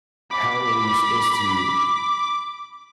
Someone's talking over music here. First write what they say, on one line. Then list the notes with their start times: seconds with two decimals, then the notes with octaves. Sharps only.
how are we supposed to
0.31 B5 D6